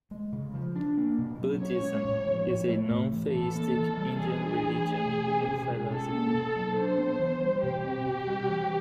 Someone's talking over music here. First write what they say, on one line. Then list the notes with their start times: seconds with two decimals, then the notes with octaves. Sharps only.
Buddhism is a nontheistic Indian religion and philosophy.
0.11 G#3
0.32 C#3
0.54 F3
0.75 D4
0.97 A#3
1.18 B2
1.40 F#3
1.61 C#4 C#5
1.83 G#3
2.05 A2
2.26 F3
2.47 A2
2.69 A3
2.90 A2
3.11 E3
3.33 E3 A4
3.55 A#3
3.76 E3
3.98 G3
4.19 E3 G#4
4.41 D4
4.62 E3
4.84 A3
5.05 B2
5.27 C#4
5.48 B2
5.69 G#3
5.90 C#4 A4
6.12 A#3
6.34 B2
6.55 F#3
6.77 D4 C5
6.98 B3
7.19 E3
7.41 G3
7.62 B2 G4
7.84 C4
8.05 B2
8.27 G3
8.49 E3